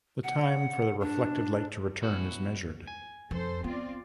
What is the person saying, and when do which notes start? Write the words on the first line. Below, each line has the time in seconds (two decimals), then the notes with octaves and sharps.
The time for the reflected light to return is measured.
0.24 F#5
1.01 D4
2.02 B2 E3 F#4
2.87 G#5
3.31 F2 A4 C5
3.64 B3 C4 F4 D5